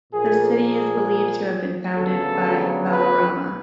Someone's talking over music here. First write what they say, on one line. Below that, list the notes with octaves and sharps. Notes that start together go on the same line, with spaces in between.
The city is believed to have been founded by Balarama.
A#2 F3 A#3 G#4
G#4
D2 C#3 F#3 B3 A4
B4